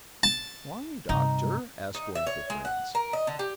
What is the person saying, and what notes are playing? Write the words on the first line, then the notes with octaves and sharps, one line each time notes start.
"Why, doctor?" asked one of the friends.
A5
G2 C3 D#4
D#4
E5
C#5
G#3
F#5
A#4
D#5
D3
G4